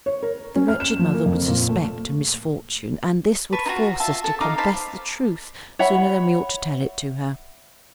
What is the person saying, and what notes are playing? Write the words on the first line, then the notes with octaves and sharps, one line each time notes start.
The wretched mother would suspect a misfortune, and this would force us to confess the truth sooner than we ought to tell it to her.
C#5
A#4
C#4
F6
E7
F3
A#3
F2
A#2
A3
B4 A5 C#6
D#4 F4 F#4
F4 E5 A5
A4 A5
D#4 F5 D6
C5 F5 A5 B5
C#5 E5 F#5 B5